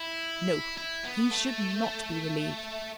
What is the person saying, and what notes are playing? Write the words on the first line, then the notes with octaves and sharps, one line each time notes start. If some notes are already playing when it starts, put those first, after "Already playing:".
No! he should not be relieved.
Already playing: E4
E4
B3
A3